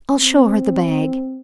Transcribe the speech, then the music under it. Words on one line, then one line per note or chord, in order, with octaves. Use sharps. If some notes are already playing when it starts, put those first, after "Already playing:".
"I'll show her the bag."
C4